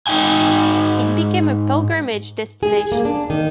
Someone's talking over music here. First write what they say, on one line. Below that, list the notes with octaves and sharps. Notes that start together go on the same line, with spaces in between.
It became a pilgrimage destination.
G#2 D#4 G5 G#5
G#4
A#3
D4
D#3